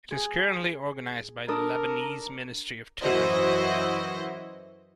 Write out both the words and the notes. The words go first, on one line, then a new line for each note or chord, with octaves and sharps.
It is currently organised by the Lebanese Ministry of Tourism.
G#4
D4 A4 A#4 D#6
F#2 E3 E4 F#4 C5 D#5